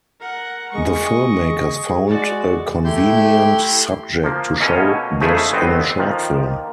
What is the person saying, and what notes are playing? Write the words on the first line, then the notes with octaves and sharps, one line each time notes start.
The filmmakers found a convenient subject to show this in a short film.
A#4 F#5
G#3 D#5 C#6
G#4
G#3 F#4 D5
A3 E4 G4 C6 G6
F3 A#3
B2 A3 A#3 C#4 C#5 D#5
C#3 F3 A3 D#4 E4 G#4
G1 B3 C4 D#5
D#3 F3
A#3